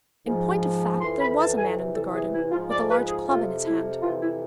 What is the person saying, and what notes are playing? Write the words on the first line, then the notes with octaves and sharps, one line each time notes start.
In point of fact, there was a man in the garden, with a large club in his hand.
G#2 F3
F2 E3 C6
B5
A5
G#5
E2 C3 E3
A4
G#4
E4
G#2 F3 F4
D5
B4
G#4
F2 C3 F3 F4
E4
F2 C3 E3 F4
E4